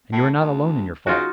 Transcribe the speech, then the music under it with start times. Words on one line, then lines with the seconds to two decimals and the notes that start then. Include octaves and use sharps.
And you are not alone in your fault.
0.13 A2
0.40 D2
1.07 C#3 D#4 F4 F#4